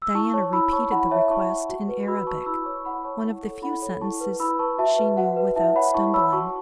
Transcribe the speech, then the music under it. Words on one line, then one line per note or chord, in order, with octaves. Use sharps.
Diana repeated the request in Arabic, one of the few sentences she knew without stumbling.
E6
E4 A5 C#6
C#5 A5 C#6
E4 B5 E6
C#5 A5 C#6
E4 F#5 B5
C#5 E5 A5
E4 A5 C#6
C#5
F#4
B4
F#4 B5 E6
B4 A5 C#6
E4 B5 E6
C#5 A5 C#6
C#6
E4 F#5 B5
C#5 A5 C#6
E4
A4 C#5
E4 F#5 B5
A4 C#5
E4 A5 C#6
B4
E4 B5 E6
B4 A5 C#6
F#4 E5 A5
B4
F#4 F#5
B4 F#5
E4 E5 A5
C#5 F#5 B5
E4 A5 C#6
C#5 B5 E6
F#4 A5 C#6